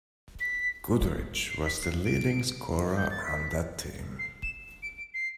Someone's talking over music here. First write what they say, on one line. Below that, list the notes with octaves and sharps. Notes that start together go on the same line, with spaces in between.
Goodrich was the leading scorer on that team.
B6
D7
C7
B6
C7
D7
G6
A6
B6
C7
E7
D7
D7
C7